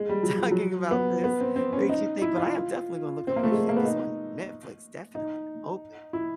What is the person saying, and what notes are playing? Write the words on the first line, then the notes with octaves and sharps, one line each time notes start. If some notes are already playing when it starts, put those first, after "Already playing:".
talking about this. Makes you think, but I am definitely gonna look up Bridgerton if it's on Netflix, definitely. I'm open.
Already playing: G#3
G3
F#3
F3
F#3
B3
B3
C4
C4
C#4
D#4
E4
F4
C4
A#3
A3
G#3
A#3
B3
D#4
D#4
E4